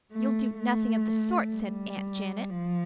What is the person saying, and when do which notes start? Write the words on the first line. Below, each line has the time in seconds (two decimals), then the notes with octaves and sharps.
"You'll do nothing of the sort," said Aunt Janet.
0.12 A3
0.59 A3
1.54 G3
2.49 F3